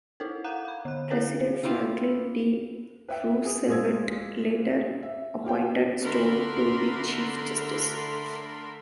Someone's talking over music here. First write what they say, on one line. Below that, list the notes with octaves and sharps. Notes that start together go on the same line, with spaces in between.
President Franklin D. Roosevelt later appointed Stone to be chief justice.
D#4 E4 A4 A#4
F5 F#5 A#5 F#6 G6
F5 B5
D3 F#6
E4 G#4 A#4 B4 C#5
E4 F4 G4 F5
B4 E5 G5
G#4 D#6
A#2 G#3 C5 D#6 E6 G#6
E5
A#3 F4 G4 C#5 F5 G5
D3 A3 D4 A#4 B5 C6